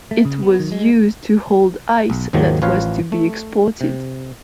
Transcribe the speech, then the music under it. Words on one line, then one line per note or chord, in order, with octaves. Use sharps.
It was used to hold ice that was to be exported.
A3
C#3
B3
D#3
G#3
B1
D#2 G#2 D#3 F3 F#3
A1 F3 F4 B4 C#5 F5
A3
C3